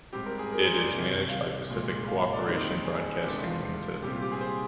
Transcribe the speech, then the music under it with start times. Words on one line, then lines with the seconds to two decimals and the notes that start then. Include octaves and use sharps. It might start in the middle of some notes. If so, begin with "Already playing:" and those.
It is managed by Pacific Cooperation Broadcasting Limited.
0.13 G#2 G3 C4 G4
0.26 A#4
0.39 G#4
0.52 A#4
0.65 C5
0.78 D5
0.91 C2 C3 D#3
1.30 F5
1.69 C2 A#2 G#3
2.08 F5
2.20 F5
2.33 D5
2.46 D#2 D#3 G3 C4 D#4 C5
2.85 G#4
3.24 C2 C3 D#3 G#3 D4 G4
3.43 F4
4.02 C2 A#2 G3 C4 G4
4.13 F4
4.22 G4
4.32 G#4
4.41 C5